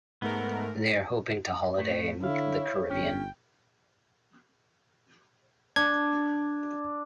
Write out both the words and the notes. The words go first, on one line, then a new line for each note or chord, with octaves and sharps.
They are hoping to holiday in the Caribbean.
G#2 A3 B3 A#4
A2 A3
D3 E4 C#5 F5
G1 C#4 G5
D4 G#6